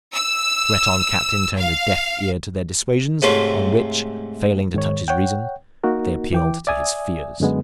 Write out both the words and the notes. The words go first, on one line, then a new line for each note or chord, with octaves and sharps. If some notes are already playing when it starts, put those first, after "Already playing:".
The Breton captain turned a deaf ear to their dissuasions; on which, failing to touch his reason, they appealed to his fears.
E6
F5
G#2 C3 A3 C#4 F4
G#2 D#3 C#5
C#5 F#5 G5
A#3 D#4 F#4 A#4
E3 G5 D6
D5 E5 G#5 D#6
F#2 D3 G#3 B3